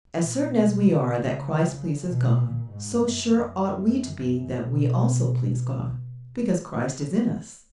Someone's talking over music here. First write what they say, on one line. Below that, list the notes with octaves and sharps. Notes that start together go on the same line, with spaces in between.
As certain as we are that Christ pleases God, so sure ought we to be that we also please God, because Christ is in us.
A#2
B2
C#3
B2
A#2
G#2
F#2
F#2
B2